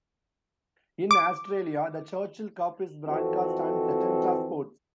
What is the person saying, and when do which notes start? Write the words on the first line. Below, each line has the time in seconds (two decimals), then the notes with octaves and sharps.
In Australia the Churchill Cup is broadcast on Setanta Sports.
1.11 D6
3.08 F2 E3 C4 F#4 A4